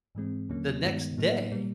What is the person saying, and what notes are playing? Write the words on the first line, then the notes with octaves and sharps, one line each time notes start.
the next day,
G#2 E3 G#3 C4
D#2 D3 F#3 A#3 C#4
G2 D#3 G#3 B3 D#4
A2 F#3 A#3 D#4
A#2 G3 A#3